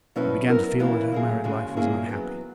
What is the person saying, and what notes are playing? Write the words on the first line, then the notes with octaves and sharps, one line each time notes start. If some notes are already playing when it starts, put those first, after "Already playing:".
I began to feel that her married life was not happy.
B2 F#3 C#4 E4 B4
F#3 B3 E4 A#4
E2 C#3 E3 A#3 E4
A#2 F#3 A#3 E4 G#4
D#2 C#3 G#3 C#4 F#4
A#2 A#3 C#4 E4 G#4
E2 D#3 F#3 B3